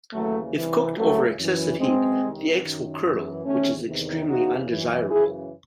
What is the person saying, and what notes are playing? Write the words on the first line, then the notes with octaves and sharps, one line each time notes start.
If cooked over excessive heat, the eggs will curdle, which is extremely undesirable.
D#2 C#3 E3 F#3 A3
C2 C3 E3
C#2 C#3 E3 F#3 A3
F#2 E3
F#2 E3 G#3 C4
C2 C3 D#3
F#2 D#3
F#2 E3
E2 C3 D#3 A3 C#4
E2 C3 D#3
E2 C#3 E3 D#4 F#4
F#2 E3
F#2 C#3 E3 E4 G#4